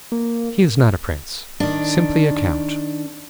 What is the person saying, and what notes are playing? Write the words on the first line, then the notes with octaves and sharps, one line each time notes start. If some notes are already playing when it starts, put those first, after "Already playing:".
"He is not a prince; simply a count."
A#3
D#3 D4